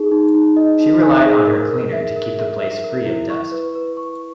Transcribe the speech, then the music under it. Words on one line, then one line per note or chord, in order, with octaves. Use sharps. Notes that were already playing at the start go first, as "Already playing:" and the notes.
She relied on her cleaner to keep the place free of dust.
Already playing: D#4 G#4
D#4
D#4
D#5
D#4
G#5
G#4
A#4
A#4
E5
A#4
E5
E5
A#4
E4
C#6
B4
B4
C#6